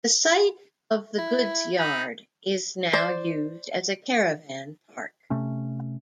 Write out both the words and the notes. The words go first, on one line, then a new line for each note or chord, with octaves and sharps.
The site of the goods yard is now used as a caravan park.
E4
D#4 B5
C5 D5
C3 A3 C#4